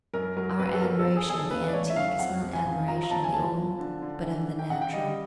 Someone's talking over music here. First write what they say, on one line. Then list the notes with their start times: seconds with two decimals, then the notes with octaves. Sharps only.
Our admiration of the antique is not admiration of the old, but of the natural.
0.14 F#2 A#4
0.36 F#3 A#4
0.59 F#2 B4
0.74 A4
0.82 G1 A#4
0.99 A4
1.05 G1
1.16 G#4
1.28 G1 G#4
1.34 A4
1.51 C#3 B4
1.68 D5
1.73 A3 C#5
1.90 E5
1.96 F#2 F5
2.19 F2 F#5
2.42 F2
2.54 G#5
2.65 C#3
2.88 F3 A#5
3.03 A#5
3.10 G1 A5
3.23 G#5
3.33 F3 A5
3.56 F3
3.79 D3
4.02 D3
4.25 E3
4.47 E3
4.59 G5
4.70 C#3 F#5
4.81 G5
4.93 G3 D#5